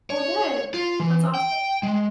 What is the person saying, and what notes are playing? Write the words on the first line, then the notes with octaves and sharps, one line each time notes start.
Oh, good, that's awesome.
C#5
F4
E3
G5
G#3